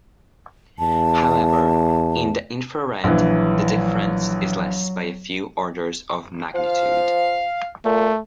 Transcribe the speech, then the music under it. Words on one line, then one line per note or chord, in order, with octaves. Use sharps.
However, in the infrared, the difference is less by a few orders of magnitude.
E2 A5
A#1 E3 F#3
F3 F5
A#2 A3